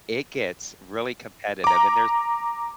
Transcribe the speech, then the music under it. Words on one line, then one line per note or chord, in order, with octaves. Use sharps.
It gets really competitive, and there's
A#5 D6